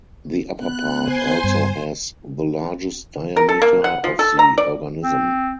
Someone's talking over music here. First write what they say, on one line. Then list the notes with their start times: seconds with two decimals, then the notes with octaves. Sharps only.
The upper part also has the largest diameter of the organism.
0.58 B3 F#6
1.02 C5 G#5 C6
1.44 G2
3.36 A#4
3.49 A4
3.62 A#3
3.84 F#5
4.04 F3
4.19 A4
4.39 A#5
4.58 D5
5.01 C4